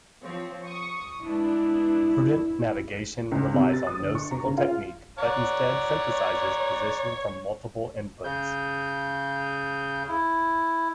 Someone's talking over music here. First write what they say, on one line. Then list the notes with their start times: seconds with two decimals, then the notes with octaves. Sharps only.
Prudent navigation relies on no single technique but instead synthesizes position from multiple inputs.
0.23 F3 C4 C#5
0.64 C#6 D#6
1.23 G#3 B3 D4 E4
3.31 C#2
3.54 C3
3.73 A6
3.87 D#6
4.00 G1
4.15 C#6
4.31 A#5
4.46 C#3
4.58 F4
5.18 C#5 D5 F#5 A#5
8.24 C#3 G6
10.08 E4